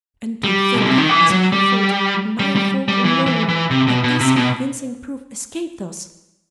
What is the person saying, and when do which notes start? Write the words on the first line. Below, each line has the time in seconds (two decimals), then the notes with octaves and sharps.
And to think that it was my fault, my fault alone, that this convincing proof escaped us!
0.44 G3
0.74 B2
0.86 C3
0.98 D#3
1.09 E3
1.30 F#3
1.52 G3
2.39 G3
2.56 G3
2.88 G3
3.05 E3
3.26 E3
3.49 E3
3.70 C3
3.87 B2
4.04 B2
4.20 C3
4.36 B2